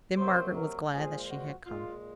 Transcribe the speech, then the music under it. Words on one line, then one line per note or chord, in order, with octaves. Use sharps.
Then Margaret was glad that she had come.
C3 F#3 A#3 C5
A#4
A#2 F3 G#3 G#4
F#4
A#2 G#3 F4